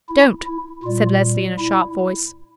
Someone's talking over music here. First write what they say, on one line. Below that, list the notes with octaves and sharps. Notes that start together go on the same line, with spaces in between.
"Don't," said Leslie in a sharp voice.
E4
E4
A#2 G3 F4
E4